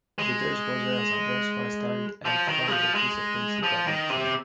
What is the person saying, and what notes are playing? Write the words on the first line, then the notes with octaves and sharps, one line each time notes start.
The Dulles brothers and James Forrestal helped form the Office of Policy Coordination.
G#3
F3
D#3
G#3
F3
G#3
F3
D#3
C3